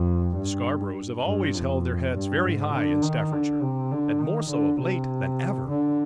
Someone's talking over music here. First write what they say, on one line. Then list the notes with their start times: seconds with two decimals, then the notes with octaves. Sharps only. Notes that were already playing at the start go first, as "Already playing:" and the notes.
The Scarboroughs have always held their heads very high in Staffordshire, and more so of late than ever.
Already playing: F2
0.36 G2
1.25 G2
1.54 F2
2.14 G2
2.43 G#2
2.73 D3
3.03 D#3
3.32 D3
3.62 C3
3.92 D3
4.21 D#3
4.50 D3
4.80 C3
5.69 D3